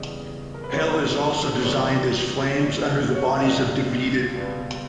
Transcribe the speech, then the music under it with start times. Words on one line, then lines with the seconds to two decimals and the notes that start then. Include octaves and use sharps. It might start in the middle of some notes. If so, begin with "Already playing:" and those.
Hell is also designed as flames under the bodies of defeated.
Already playing: E2 C#3 G3 D#5
0.54 A#4
0.64 B4
0.72 E2 C#3 G3 C#5
1.57 B4
1.63 E2 C#3 G3 C#5
2.54 E2 C#3 G3 C#5
2.85 D#5
3.14 C#5
3.44 C#2 B2 G3 D#5
4.36 C#2 B2 G3 B4